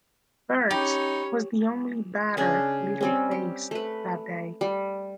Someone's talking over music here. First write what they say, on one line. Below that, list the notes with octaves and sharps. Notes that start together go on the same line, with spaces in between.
Wertz was the only batter Liddle faced that day.
C#4 D#4 G4 C#5 B5
C#3 C#4 D4
G3 C4 C#4
G4
A3 B4
G3